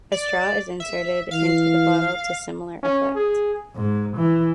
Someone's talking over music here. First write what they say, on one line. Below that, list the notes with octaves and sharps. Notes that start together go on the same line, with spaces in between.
A straw is inserted into the bottle to similar effect.
D5
E5
E3 F5
C#4
G#4
G#2
E3